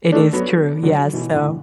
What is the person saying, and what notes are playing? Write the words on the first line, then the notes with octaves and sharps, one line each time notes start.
It is true. Yes, so
A3 D4
F#3 B3
D3 F#3
B2 E3
A2 D3